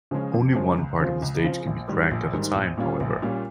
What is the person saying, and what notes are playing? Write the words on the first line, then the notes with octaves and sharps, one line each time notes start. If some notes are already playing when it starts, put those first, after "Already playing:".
Only one part of a stage can be cracked at a time, however.
C#3 F3 G#3 C#4
F2
C#3 F3 G#3 C#4
C#2
C#3 F3 C4 F4
C#2
C#3 F3 C4 F4
A#1
G#2 D#3 G3
A#1
G#2 D#3 G3
A#1
A#2 G3 C#4 F4
A#1
A#2 G3 C#4 F4